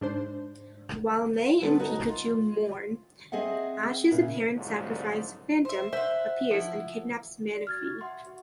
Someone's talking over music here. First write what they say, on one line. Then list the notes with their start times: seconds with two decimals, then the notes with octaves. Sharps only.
While May and Pikachu mourn Ash's apparent sacrifice, Phantom appears and kidnaps Manaphy.
0.01 G#2 D4 C5
1.61 D3 B3 C#4 A4 B4
1.79 D2 D#4 F#4 D#5 F#5
2.09 F4
3.32 C4 G#4 D#5 E5 F#5
4.11 A#2 C#3 E4
4.56 C2 G#2 D3 F3 F#3
5.65 C5 E5
5.93 C5 E5 F#5
6.51 F3 E4
7.53 D5
7.67 F#4 F6 G#6 A6
8.01 E5 F#5 C6
8.25 F#4